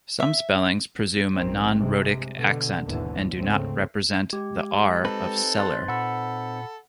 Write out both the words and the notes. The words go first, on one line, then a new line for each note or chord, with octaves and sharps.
Some spellings presume a non-rhotic accent and do not represent the R of "cellar".
E5
A#1 G#2 D#3 G3 C4
G2 C3 G#3
B2 D3
G#1 D#2 G#2 B2 D3 E3
D2 G#2 C#3 A3 C4
G#3 G4
C4 D#4 A4 B4
C6 F#6 A6
A#2 A4 F#5 B5 E6